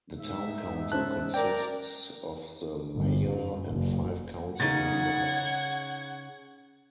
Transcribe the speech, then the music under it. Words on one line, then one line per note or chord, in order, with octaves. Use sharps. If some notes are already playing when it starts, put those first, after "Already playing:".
The town council consists of the mayor and five council members.
G#2 D#4 E5
C#4 C5 A5 F#6
A#4 D5 G5
G1
F#2
F#1
C#3 D#4 F#5 G#6 A6